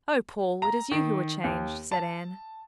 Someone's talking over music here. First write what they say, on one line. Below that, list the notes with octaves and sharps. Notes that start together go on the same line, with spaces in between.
"Oh, Paul, it is you who are changed," said Anne.
A#5
D#3
D#2
A5